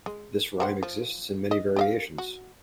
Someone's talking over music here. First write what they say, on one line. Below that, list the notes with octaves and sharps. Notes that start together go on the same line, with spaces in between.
This rhyme exists in many variations.
G#3
G3 C5 F#5
F3
D#5
G4 D#5 F5
F#4